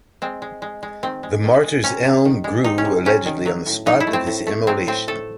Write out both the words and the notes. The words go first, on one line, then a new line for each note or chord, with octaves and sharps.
The "Martyr's Elm" grew, allegedly, on the spot of his immolation.
G#3 C4
G#3
G#3
G#3
D#3 C4
G#3
D#3
G#3
C3 C#4
C3
D#3
G#3
C3 D#4
C#4
C3
C3 C#4
D#3
F#3
A2
F#3 D#4
E4
A3
C4
A2
A3
F#3 C4
A2 C4
A3 A4